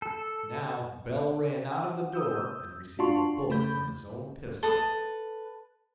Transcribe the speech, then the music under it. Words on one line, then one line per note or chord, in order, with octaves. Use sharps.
Now Bell ran out of the door and received a bullet from his own pistol.
A4
F#5
D#6 E6 G6
D4 F4 F#4 A5 C6 C#6
C#3 A3 B5 G6
A4 B4 D#6